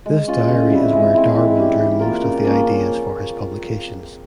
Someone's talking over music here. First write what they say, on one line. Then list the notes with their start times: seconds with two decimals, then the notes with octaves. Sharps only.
This diary is where Darwin drew most of the ideas for his publications.
0.06 G#3
0.28 C#4 F4
0.49 C#3
0.70 E3 G3 C4
0.93 G#3
1.14 C4 E4
1.35 E3
1.57 G3 C#4 G4
1.79 E3
1.99 A#3 F4 A#4
2.22 C#3
2.43 F3 A#3 C#4